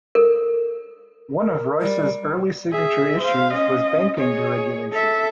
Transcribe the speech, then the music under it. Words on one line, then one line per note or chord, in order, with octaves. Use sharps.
One of Royce's early signature issues was banking deregulation.
A4 A#4
A#4
G3 D5
G#4 E5
C5 F5
C#4 D#5
G#4 C#5
A4 E5